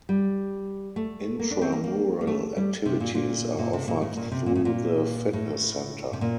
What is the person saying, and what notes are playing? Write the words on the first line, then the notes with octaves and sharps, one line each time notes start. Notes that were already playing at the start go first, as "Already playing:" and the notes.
Intramural activities are offered through the fitness center.
G3
A3
A#3
D4
C4
A#3
A#3
A#3
A3
G3
C3
A#2
A#2
A#2
C3
A#2
A2
A#2
C3
A#2
A2
A#2
A2
C3
A#2